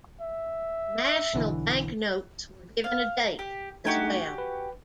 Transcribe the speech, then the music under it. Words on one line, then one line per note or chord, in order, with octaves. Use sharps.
National Bank Notes were given a date as well.
E5
B1 D3 E3
F5
G4
A3 D4 D#4 F#4 G4 G#5
B4